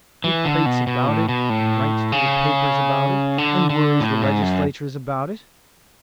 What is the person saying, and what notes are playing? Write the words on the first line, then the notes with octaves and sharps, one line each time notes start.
He prates about it, and writes to the papers about it, and worries the legislators about it.
E3
D3
B2
B2
A2
B2
A2
C#3
D3
D3
A2
G#2
F#2